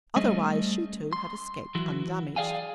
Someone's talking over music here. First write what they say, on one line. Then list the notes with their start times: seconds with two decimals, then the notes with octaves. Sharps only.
Otherwise she, too, had escaped undamaged.
0.16 G3 A3 C#4 G#4 C5 D#5
1.13 C6
1.75 E3 F#3 E4 F#4
2.36 G#4 A#4 D5 F5 G5 G#5